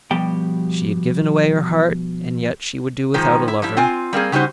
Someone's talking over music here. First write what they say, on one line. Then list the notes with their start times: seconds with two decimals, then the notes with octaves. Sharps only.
She had given away her heart, and yet she would do without a lover.
0.11 B2 F3 G3 G4 G5
3.14 G#2 D#3 F3 G#3
3.48 E4
3.62 F3 G3 E4
3.77 C4 F4 G#5
4.13 G3 A#3 C4 G#4
4.32 C#3 G3 D#4 F#4 C5